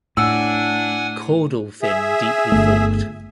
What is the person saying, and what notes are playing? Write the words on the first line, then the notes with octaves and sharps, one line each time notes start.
Caudal fin deeply forked.
A2 D4 F#5 G#5 E6
G#4 E5
G1 A3